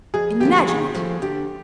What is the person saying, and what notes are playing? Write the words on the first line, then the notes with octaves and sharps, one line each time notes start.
Imagine it!
F2 G#4
D3 F3 A#3 G4
A#2 G#4
F3 A3
D3 G4